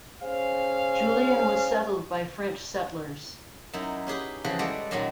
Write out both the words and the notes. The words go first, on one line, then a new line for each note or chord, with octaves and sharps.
Julian was settled by French settlers.
C#4 G#4 C5 F5
F#2 D#4 E4
C#4 G4 G#4 B4
C#3 E3 F3 F#4 B4
G3 G#3 F#4 A4 C#5 D5
F#2 A#2 D#3 F#3 G#3